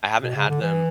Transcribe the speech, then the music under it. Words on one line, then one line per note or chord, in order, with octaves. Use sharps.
I haven't had them
B2
C#3
D3
E3